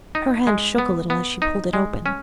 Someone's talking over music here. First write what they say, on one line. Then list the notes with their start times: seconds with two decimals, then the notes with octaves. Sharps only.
Her hand shook a little as she pulled it open.
0.15 D#4
0.47 G#3
0.78 B3
1.10 B3
1.42 D#4
1.73 G#3
2.06 C#4